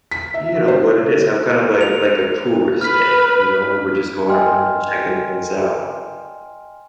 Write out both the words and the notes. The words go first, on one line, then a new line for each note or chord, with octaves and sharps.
you know, what it is." Have kind of like like a tourist day, you know, where we're just going around and checking things out,
B6
E5
F#4
C5
F7
B4 F6 B6
D#5 G5 G#5 C6 F6